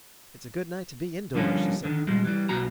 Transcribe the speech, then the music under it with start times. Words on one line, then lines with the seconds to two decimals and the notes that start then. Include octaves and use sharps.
"It's a good night to be indoors," she said.
1.35 D3 F3 G3 A#3 C#4
1.84 D3 D#3
2.07 A#2 G3 G#3
2.25 E3 G3
2.49 B1 A#3 F#4 A#5